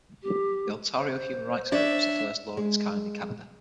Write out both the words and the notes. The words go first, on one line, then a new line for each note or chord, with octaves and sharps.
The Ontario "Human Rights Code" was the first law of its kind in Canada.
G4
C5
D4 C#5 D5 E5
G#3